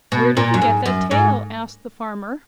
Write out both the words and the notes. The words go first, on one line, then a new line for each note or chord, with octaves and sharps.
"Where did you get that tail?" asked the farmer.
B2
A#2
F#2
G#2
F#2
G#2